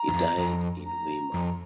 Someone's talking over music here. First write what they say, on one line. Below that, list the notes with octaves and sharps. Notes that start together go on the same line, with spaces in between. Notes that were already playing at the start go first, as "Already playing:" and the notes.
He died in Weimar.
Already playing: A#5
E2
F2
F2
A#5
F2